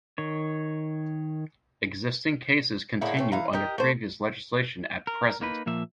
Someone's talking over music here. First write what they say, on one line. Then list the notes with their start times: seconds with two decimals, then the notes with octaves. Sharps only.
Existing cases continue under previous legislation at present.
0.18 D#3 C#5
3.01 A2 D3 A#3 E4 G#4
3.17 A3 C4 C#4
3.32 E3 F5 A#5
3.53 G4 A#4 D#5
3.78 A3 C5
5.07 A#4
5.41 A#3 D#4 B4
5.66 A#2 F3 A#3 E5